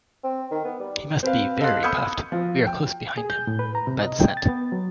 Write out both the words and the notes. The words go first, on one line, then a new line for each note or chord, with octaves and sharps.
He must be very puffed; we are close behind him, by the scent.
C4
D#3
B3
G3
C4 B4 F5
A4 D#5 F5 C6 F#6
B5 D#6 E6 G6 G#6 C#7
F3
G5
G#4
G6
A2
B4
A#5
C3
D#5
G5
A6
B3
F#3